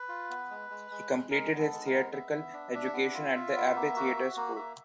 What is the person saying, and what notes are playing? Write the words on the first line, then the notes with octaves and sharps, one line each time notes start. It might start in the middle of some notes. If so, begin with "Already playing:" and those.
He completed his theatrical education at the Abbey Theatre School.
Already playing: B4
F4
B3
G#3
G#3
G#3
G#3
G#3 A#4
B3
A4
G#3
A#4
B3
B3 E5
B3
D4
D4
B3
F4
F4
B3
A#3
F#4
F#4
A#3
A#3 E5